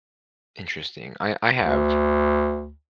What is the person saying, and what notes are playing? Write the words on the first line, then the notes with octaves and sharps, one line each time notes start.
Interesting, I I have
D2